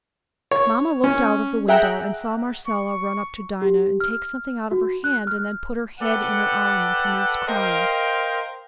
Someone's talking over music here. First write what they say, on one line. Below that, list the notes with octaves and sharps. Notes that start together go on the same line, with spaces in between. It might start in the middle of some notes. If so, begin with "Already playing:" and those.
Mamma looked out of the window and saw Marcella run up to Dinah and take something out of her hand and then put her head in her arm and commence crying.
C#5
C#4
G#4 E5 F#5 G5 A#5 F#6
C#6
G4
F6
F#4
F#6
F6
A4 B4 D5 F#5 G5
A#4 C5 D#5 F5 G5